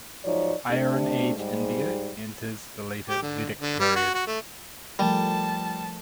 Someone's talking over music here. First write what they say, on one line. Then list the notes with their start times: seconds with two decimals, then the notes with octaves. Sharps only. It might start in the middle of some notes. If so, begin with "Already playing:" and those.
Iron Age India enters the later Vedic period.
0.25 G#2 F3 F#3 D#4 C#5 D5
0.70 C3 A3 D4
1.36 G#2 G3
3.09 G4
3.22 D3
3.61 D3
3.80 G3
3.96 F#4
4.14 F#4
4.27 A3
4.99 F3 G3 A3 A#4 A5